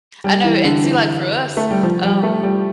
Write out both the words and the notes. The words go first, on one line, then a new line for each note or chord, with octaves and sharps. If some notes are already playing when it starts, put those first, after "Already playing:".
I know, and see, like, for us, um
G3
E3
D3
E3
A3
G3
F3
G3
A3
G3